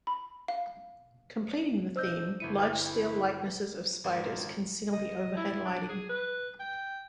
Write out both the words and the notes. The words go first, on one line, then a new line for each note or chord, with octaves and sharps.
Completing the theme, large steel likenesses of spiders conceal the overhead lighting.
B5
F5
D4 C5 D#5 E6 G6
G1 E4 E5 C#7 D#7
G#1 D#3 F4
D#5
E4
D4
G#4
B4
G5